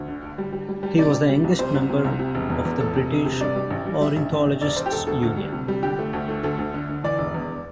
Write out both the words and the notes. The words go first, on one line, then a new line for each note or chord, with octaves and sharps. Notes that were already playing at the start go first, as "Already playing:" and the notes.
He was the youngest member of the British Ornithologists' Union.
Already playing: D2
D3
D3
G3
G3
G3
G3
C3 D5
C3
G3
C2
C3 C5
C2
C3
C2
C3
E1
E2
E2
E1 A4
C3
E1
C3
G2 D5
G3
A1
G3
G3 E5
A1
A1
A1
E1 D5
E1 C5
G4
E1 A4
D2 A4
D2
G3
C3
G3
D3 G4
A3
D2
A3
D2 A4
D2
D3
D3
E3 D5
E1
E2